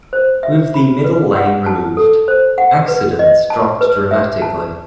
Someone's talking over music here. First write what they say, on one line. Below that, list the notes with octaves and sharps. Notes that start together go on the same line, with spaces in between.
With the middle lane removed, accidents dropped dramatically.
C5
E5
B5
B4
F#5
A5
A4
C5
F#5
B4
D#5
A5
B4
E5
A5